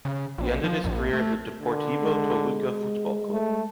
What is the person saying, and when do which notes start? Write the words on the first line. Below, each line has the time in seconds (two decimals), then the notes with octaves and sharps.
He ended his career at the Deportivo Toluca Fútbol Club.
0.05 C#3
0.38 A#1
0.64 F3
0.84 A#1
1.13 A3
1.61 D3
2.01 G#3
3.33 A3